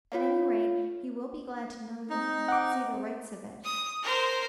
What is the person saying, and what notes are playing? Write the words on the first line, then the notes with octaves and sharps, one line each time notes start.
At any rate he will be glad to know you see the rights of it.'
F4 C#5 F5
C4 D#4
F#5 D6
D#6
A#4 C5